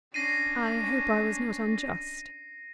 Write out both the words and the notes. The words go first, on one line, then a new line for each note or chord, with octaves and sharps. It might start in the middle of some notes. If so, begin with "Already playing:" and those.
"I hope I was not unjust."
C#4 D4 A#6 C7 D#7